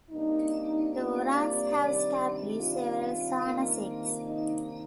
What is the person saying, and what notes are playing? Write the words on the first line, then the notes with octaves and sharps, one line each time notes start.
The Oraons have established several Sarna sects.
C3 G3 A#3 D4 D#4
F4
D5
C3 D#3 G3 D4
F4
C3 D#3 A#3 D4
D#4